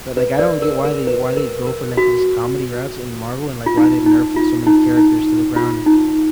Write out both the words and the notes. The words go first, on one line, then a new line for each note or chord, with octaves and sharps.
but, like, I don't get why they why they go for, like, these comedy routes in Marvel and, like, why they nerf so many characters to the ground,
B4
A#4 D5
A#4
A#4
B4
A#4
A#4
F#4
F4
D#4
D#4
F4
D#4
D#4
F4
D#4